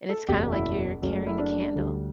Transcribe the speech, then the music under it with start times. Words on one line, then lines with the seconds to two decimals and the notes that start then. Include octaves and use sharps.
and it's kinda, like, you're carrying the candle,
0.09 A4
0.28 F#1 E2 B2 G4
0.52 E4
1.02 F#1 F#2 F#3 A3
1.27 E4
1.38 D4
1.75 D2 D3 G3